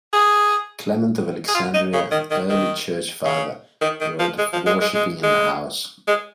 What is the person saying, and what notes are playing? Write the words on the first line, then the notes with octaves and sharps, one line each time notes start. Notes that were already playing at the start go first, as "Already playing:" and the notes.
Clement of Alexandria, an early church father, wrote of worshipping in a house.
G#4
G#4
F4
D#4
C#3
D#3
D#3
D#3
C#3
D#3
D#3
F3
G#3
F3
G#3
G#3
G#3
G#3
G#3